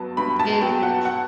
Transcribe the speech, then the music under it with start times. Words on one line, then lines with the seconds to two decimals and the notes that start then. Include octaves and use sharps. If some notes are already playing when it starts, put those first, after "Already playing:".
kids and
Already playing: G2 F#3 B3 A5
0.17 G2 B5
0.39 A5
0.61 F#3 B3 G5
0.83 F#5
1.05 F#5